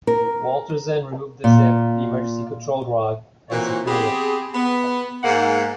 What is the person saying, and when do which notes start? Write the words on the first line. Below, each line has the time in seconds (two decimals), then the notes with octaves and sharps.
Walter Zinn removed the zip, the emergency control rod, and secured it.
0.07 A#4
1.44 A#2
3.50 A#2 E3 A#3 C4 F#4 C#5
3.87 B3 C4 G4 G#4
4.54 B3
5.23 G#2 A#3 F#5